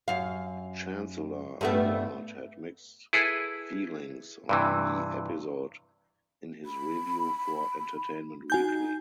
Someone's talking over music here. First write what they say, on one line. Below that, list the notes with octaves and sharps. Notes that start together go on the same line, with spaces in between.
Chancellor Agard had mixed feelings on the episode in his review for "Entertainment Weekly".
F#2 F5
G2 A3 B3
E4 G#4 A4 B4
G2 C3 E3
B5
D#4 F#4 G#5 G6